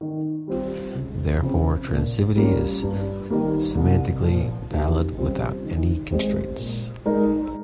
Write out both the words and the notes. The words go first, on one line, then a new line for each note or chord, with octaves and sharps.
Therefore, transitivity is semantically valid without any constraints.
D#3
G3 C4 F4
C#2
C#3 F3 C4
A#2
G3 A#3 C#4 F4
G2
D#3 G3 A#3
C2
A#2 F3
D#2
C#3 G3 C4 F4
D#3
G#3 C4 G4 C5
A#2
G#3 D#4 A#4